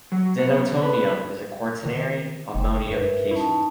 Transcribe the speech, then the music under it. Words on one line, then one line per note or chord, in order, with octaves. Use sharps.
Denatonium is a quaternary ammonium cation.
F#3
B3
C3
B4
D#3
F#1 G5
G2 A#4 B4 E5
C#4 D#4 E4 A5